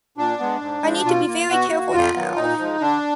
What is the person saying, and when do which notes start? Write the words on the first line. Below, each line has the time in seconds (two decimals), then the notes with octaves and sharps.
I need to be very careful now.
0.18 A#2 D4
0.39 G#3 B3
0.61 G#2
0.83 F3 G#3
1.05 B2 F4
1.27 A#3
1.49 B2 F#4
1.71 A#3
1.93 F2 F4
2.15 D#3 F#3 B3
2.36 A#2 D#4
2.59 F3 G#3
2.81 D3 D4